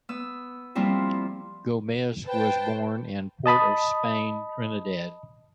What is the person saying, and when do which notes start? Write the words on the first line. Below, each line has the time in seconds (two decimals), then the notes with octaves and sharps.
Gomez was born in Port of Spain, Trinidad.
0.09 B3 E6
0.75 F3 G3 A#3 C4 E4
2.27 B4 C5 G5 A5
3.46 D#5 A5 B5 D#6